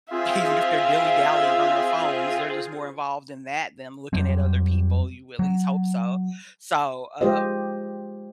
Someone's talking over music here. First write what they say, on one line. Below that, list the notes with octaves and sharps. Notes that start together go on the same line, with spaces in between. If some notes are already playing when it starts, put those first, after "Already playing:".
even if they're dilly dallying on their phones, they're just more involved in that than looking at other people, you at least hope so. So, uh,
C4 F4 G#4 E5 F5
F2 F#3 G3 C4
F#3
G#3 F4 G4 C5 D#5